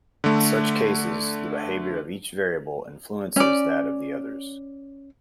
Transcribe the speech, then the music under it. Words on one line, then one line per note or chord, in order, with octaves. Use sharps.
In such cases, the behavior of each variable influences that of the others.
D3 A3
C#4 D5